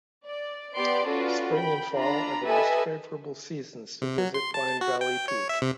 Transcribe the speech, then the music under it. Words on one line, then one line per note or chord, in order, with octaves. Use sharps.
Spring and fall are the most favorable seasons to visit Pine Valley Peak.
D5
B3 G4 B4 D5 C6 D7
C#4 F4 F#4 A4 B4 D5
G5 B5
D4 F4 A#5 B5
G4 A4 B4 D#5 E5 G#5
C3
F#3
C6
A5
F#4
G5
C#5
E5
C3